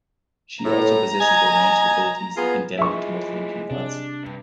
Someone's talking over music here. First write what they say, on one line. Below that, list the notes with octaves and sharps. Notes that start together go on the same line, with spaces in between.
She also possesses the range of abilities endemic to most Olympian gods.
A2 A#5
D#5 G#5
B3 F4 G#4
F3 G#3 E4 E5 C#6
C3 D4
G2